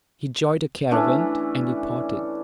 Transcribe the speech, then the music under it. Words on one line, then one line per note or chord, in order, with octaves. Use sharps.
He joined a caravan, and departed.
E3 A3 C#4 D4